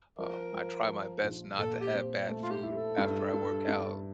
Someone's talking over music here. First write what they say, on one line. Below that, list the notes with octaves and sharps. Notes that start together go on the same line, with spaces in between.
um, I try my best not to have bad food after I work out.
F3 A#4
F3
F3
A#1
A#2 A4
G4
C4
A3
F4
G4
E4
A4
G2
G2
G2